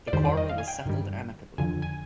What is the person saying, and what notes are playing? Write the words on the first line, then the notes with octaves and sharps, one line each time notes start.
The quarrel was settled amicably.
D5
F2 D#3 G3 C5
D5
D#5
F5
G#5
G5
G2 D#3 G3
F2 D3 F3 G#5
G#5